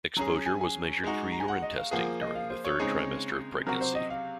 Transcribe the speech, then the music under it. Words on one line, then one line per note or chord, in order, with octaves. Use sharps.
Exposure was measured through urine testing during the third trimester of pregnancy.
F#3 C#4 G#4 A#5
G#5
G#5
G#3 D#4 F#4
A#5
G#5
F#5
D#5
F5
F3 A#3 F4 G#4 F#5
D#5
F5
C5
C#5
C#3 G#3 C4 D#4 G#4
C3 F#3 C4 F#4 A#4
C5
D#5
F5